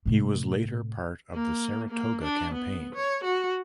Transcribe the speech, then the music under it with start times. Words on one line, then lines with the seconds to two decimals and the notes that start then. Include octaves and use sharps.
He was later part of the Saratoga Campaign.
0.06 A2 C3
1.34 A#3
1.90 A#3
2.23 D4
2.54 B3
2.95 C#5
3.24 F#4